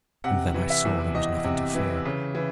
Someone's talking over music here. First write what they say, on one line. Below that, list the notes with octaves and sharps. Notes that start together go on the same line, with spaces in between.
And then I saw there was nothing to fear.
C3 F#5
E3
E5
E2
E2 D#5
C3
E3
C#3
E3